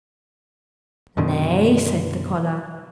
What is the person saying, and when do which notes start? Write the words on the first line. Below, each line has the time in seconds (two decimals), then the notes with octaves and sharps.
"Nay!" said the collar.
1.17 F#2 B2 D3 D#3